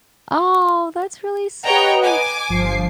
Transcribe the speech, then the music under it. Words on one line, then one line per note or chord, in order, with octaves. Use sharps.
Aw, that's really sweet!
B4 C#5 D#5 F#5 G5 A#5
G#5 D6
G1 F3 C7